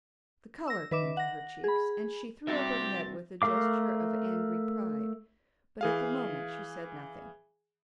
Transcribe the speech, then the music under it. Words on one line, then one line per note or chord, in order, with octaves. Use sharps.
The colour came to her cheeks, and she threw up her head with a gesture of angry pride, but at the moment she said nothing.
E6 A#6
D#3 B4 E5 D6 E7
F#5 A#6
G#4 B5
C2 C4 F#4 G4 E5 A6
A3 A#4 F5 D6
E3 G#4 F5